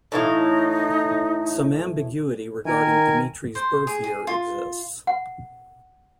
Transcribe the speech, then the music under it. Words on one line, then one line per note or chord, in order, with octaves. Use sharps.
Some ambiguity regarding Dimitrie's birth-year exists.
A2 E3 D#4 F5
D#3 A#4 G#5
C5
G#4
G#4
F4
F#5